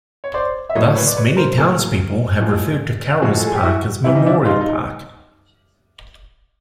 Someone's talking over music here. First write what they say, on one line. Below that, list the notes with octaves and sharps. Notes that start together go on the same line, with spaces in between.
Thus, many townspeople have referred to Carroll's Park as Memorial Park.
C#5
C5 D5
E5
A2 F#3 A#3 C#5 D#5
B4 C#5
D5
B4 C#5
A#4 C5
A2 F#3 A#3 G#4 A#4
A2 F3 G#3
A2 F3 G#3 F#4 G#4
A4
G#4
G4
E4 F#4
C3 E3 G3 E4
D#4
D4 E4
D#4 F4
D#4